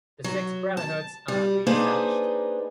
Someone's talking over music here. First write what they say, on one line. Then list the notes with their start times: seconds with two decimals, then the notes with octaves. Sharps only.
The six brotherhoods are reestablished.
0.24 F#3
0.77 A5
1.28 G3
1.67 A#3 D4 D#4 G#4 B4 C5